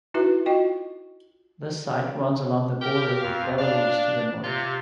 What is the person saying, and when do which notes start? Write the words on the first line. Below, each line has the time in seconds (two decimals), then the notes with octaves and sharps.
The site runs along the border with Belarus to the north.
0.14 D#4 E4 F#4 B4 E5
0.46 F4 F#4 D#5 G5
2.81 G4 A#4 G5
3.22 F2 F5
3.59 D4 D5 F5
4.44 C3 F4